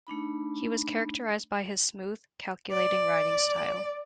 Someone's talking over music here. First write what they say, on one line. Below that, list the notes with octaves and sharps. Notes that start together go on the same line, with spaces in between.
He was characterized by his smooth, calculating riding style.
A3 D4 D#4 B5
D5